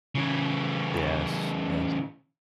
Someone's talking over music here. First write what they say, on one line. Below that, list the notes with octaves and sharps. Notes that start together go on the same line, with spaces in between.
Yes. Yes.
C#3 E3